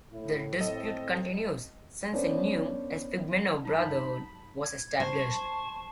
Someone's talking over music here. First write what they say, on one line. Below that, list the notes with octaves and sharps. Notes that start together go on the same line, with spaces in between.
The dispute continues since a new "Esphigmenou brotherhood", was established.
A2 E4
C4 A4 D#5
B3 C#4 D4 A#4 C5
G2 F#3 G#3 D#4 A5 B5
G#6
C5 A5 C#6